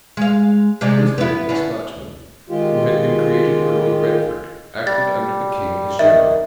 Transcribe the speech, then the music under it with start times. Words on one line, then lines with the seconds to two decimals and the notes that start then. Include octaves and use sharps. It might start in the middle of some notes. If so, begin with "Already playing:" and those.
Ruthven, a Scotchman, who had been created earl of Brentford, acted under the king as general.
0.17 G#3 F5
0.81 C3 G#3 D4
1.18 B3 E4
1.49 D3 C#4
2.49 D#3 G#3 F4 G4
4.87 G3 A6
5.99 D#3 E5